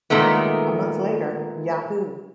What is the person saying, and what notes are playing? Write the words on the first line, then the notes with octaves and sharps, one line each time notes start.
A month later, Yahoo!
A#2 D#3 G#3 A3 B3